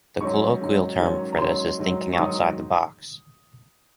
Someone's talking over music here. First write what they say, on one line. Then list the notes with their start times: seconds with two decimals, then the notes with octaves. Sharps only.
The colloquial term for this is thinking outside the box.
0.21 G#2 D#3 F#3 C#4 C#6
0.60 G#2 D#3 F#3 C#4
1.00 G#2 D#3 F#3 C#4
1.32 A#5
1.39 G#2 D#3 F#3 C#4 C6
1.79 G#2 D#3 F#3
2.13 C#6
2.18 G#2 D#3 F#3 D#6